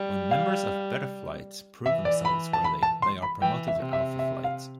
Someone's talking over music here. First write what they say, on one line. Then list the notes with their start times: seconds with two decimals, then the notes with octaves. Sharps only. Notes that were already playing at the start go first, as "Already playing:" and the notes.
When members of Beta Flight prove themselves worthy they are promoted to Alpha Flight.
Already playing: G3
0.31 F5
1.86 E3 E5
2.05 D5
2.25 B5
2.53 A5
2.64 B5
2.83 A5
3.02 C6
3.22 B5
3.41 E3 G5
3.68 E5
3.79 C3
3.93 E5
4.19 E5
4.44 F5